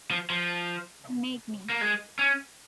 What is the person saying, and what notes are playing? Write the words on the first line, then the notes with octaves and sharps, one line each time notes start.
Make me!
F3
F3
A#3
G#3
C#4